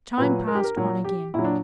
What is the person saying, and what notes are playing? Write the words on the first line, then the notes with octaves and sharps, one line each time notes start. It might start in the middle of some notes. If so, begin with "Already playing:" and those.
Time passed on again.
A#2 F#3 B4
A#4
G4
A#4
A#2 F#3
G4
A#2 F#3 E4
D4